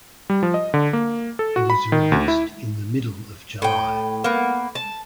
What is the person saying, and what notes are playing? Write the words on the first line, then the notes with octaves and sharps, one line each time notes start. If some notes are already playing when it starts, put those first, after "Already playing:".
He was released in the middle of July.
G3
F3
D#5
D3
A#3
A4
F#4
B5
D#3
D2
E4
A2 G5
A#3 B3
A5